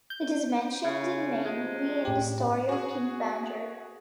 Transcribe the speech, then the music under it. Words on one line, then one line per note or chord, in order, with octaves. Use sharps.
It is mentioned in mainly in the Story of King Banjar.
G6
C#3
C3 F3 G#3
A2 G4
F#4 G#4